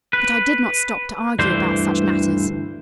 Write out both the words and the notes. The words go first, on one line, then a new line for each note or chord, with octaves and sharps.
But I did not stop to argue about such matters.
B4
D2 G2 E3 C5